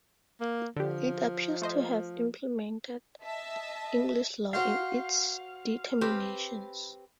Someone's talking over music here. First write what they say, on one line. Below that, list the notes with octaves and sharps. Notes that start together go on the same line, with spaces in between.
It appears to have implemented English law in its determinations.
A#3
D3 F3 G4
A3 C5 D#5
D#5 E5 A5
F#4 C5 F5 G5
C4 G4 B4 B5